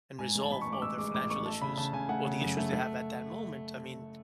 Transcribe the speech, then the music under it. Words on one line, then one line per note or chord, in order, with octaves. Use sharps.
and resolve all their financial issues or the issues they have at that moment, I mean,
G#2 G#5
A1
A5
A1 B5
C#6
A1
D6
A1 E6
G#3 D6
A1 D6
A1 C#6
A3 A5
C#3 B5
C#3 A5
C#3 G#5
A3 F#5
C#3
F#2
A3
A3